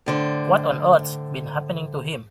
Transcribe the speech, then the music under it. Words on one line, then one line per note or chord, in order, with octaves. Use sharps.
What on earth's been happening to him?
A2 D3 C5